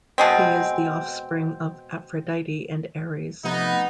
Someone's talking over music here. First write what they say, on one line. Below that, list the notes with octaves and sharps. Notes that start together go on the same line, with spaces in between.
He is the offspring of Aphrodite and Ares.
B2 G#3 C4
C3 F3 A3 B3 D#4